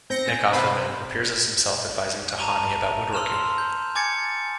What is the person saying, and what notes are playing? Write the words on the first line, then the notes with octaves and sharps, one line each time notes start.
Nick Offerman appears as himself advising Tahani about woodworking.
C4 G6 A#6 C#7
G#5
C3 B4 C5
A5 A#5 D#7 F7 G7
C6 E6 F6 E7 F7
C6
G6
G#5 D6 G#6 A6 C#7